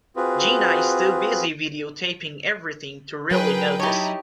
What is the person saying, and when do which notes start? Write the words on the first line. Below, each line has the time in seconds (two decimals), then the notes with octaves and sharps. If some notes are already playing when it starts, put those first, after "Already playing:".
Gina is too busy videotaping everything to really notice.
0.16 C4 F4 F#4 G#4 B4
3.31 F#3 G#4 A#4 B4 G5
3.80 D#4 E4 G4 C#5 A5